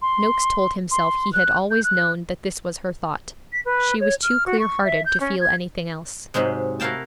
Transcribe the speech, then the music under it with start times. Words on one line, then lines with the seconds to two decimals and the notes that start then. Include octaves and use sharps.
Noakes told himself he had always known that this was her thought; she was too clear-hearted to feel anything else.
0.02 C6
0.91 C6
1.33 F#6
1.71 G6
1.84 F#6
3.52 B6
3.65 B4
4.00 C#5
4.22 F6
4.46 F#4
4.59 C#6
4.84 E5
5.05 G6
5.20 C#4
5.40 G#6
6.34 G#2 C3 F#3 G#3
6.80 E4 F#4 A#4 F5 G5 A5